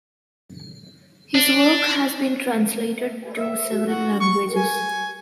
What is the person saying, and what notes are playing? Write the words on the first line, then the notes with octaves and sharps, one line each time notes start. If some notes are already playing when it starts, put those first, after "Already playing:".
His work has been translated to several languages.
D4
E5
F#4
C#6
G#5